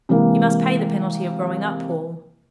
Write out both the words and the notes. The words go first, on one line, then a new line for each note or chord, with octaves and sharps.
You must pay the penalty of growing-up, Paul.
C3 E3 G#3 A#3